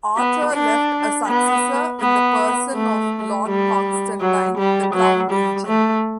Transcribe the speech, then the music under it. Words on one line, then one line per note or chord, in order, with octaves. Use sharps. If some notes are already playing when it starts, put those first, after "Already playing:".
Arthur left a successor in the person of Lord Constantine the Crown Regent.
B3
D4
B3
B3
A3
G3
F#3
G3
F#3
G3
A3